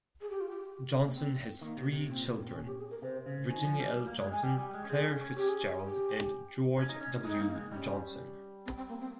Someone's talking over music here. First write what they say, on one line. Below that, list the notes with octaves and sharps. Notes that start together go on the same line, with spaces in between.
Johnson has three children: Virginia L. Johnson, Claire Fitzgerald, and George W. Johnson.
G#4
G4
F4
G4
A#3
C4
D#3 A#3
C3
C3
A#2 C4
A#3
C4
C#4
G4
G#4
A#4
C3 C5
C#3
D#3 G#5
F3
G3
G3
A#3
G#3
G#3 G#5
G3 G5
G3
G#3
C#4
C4 G#4
C#4
C#4
C#4 G4
G#4
G4
G4
C#4
D#4
C#4
G#3 D#4
C4
A#3
G#3
G3 C#4
C4
C4
A#3
C4